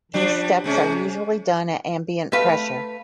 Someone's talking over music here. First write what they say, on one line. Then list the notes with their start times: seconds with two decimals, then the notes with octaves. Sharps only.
These steps are usually done at ambient pressure.
0.14 F3 G3 D4
0.64 C3 G#3 C#4
2.32 A3 B4 F5